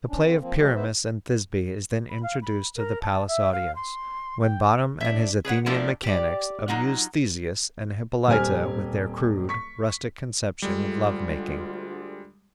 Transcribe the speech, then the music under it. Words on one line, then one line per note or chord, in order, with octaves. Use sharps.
The play of Pyramus and Thisby is then introduced to the palace audience, when Bottom and his Athenian mechanics amuse Theseus and Hippolyta with their crude, rustic conception of love-making.
E2 G2 C#4 D4
D3 E3 C4
F3 A#3 C4
F3 F#3 G#3 A3 G4
B3 D#4 B4 C5 E5
B5
F5
B5
A#4
A5
E5
F5
C6
G5
D4 E5
G#4 B4 C#5 F#5
F3 G3 A3 A#3 D4 F4
G4 D5
F#3 D#4 F4 F#5
D#1 C4 G4 G#5 F6
C#6 B6
D2 D3 G3 G#3 F4